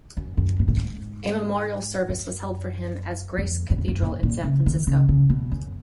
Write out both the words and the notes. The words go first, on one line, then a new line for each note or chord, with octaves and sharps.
A memorial service was held for him as Grace Cathedral in San Francisco.
F#2
F#2
G#2
A#2
G#2
F#2
F2
F#2
F2
F#2
A#2
A#2
C#3
D#3
C#3
C#3
B2
F#2